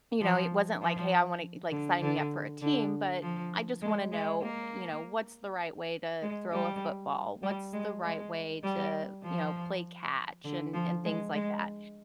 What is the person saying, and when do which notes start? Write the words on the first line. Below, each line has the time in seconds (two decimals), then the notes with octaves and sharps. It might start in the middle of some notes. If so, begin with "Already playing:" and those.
you know, it wasn't like, "Hey, I wanna e" like, "Sign me up for a team," but "I just wanna know," you know, "what's the right way to throw a football? What's the right way to, you know, play catch" and and things like that?
0.21 F3
0.81 F3
1.72 D3
2.02 D3
2.61 D3
3.22 F3
3.82 G#3
4.12 G#3
4.42 A#3
6.22 G#3
6.52 G3
7.43 G3
7.73 G#3
8.03 G#3
8.63 G3
9.23 F3
10.44 D3
10.74 F3
11.05 G#3
11.35 G#3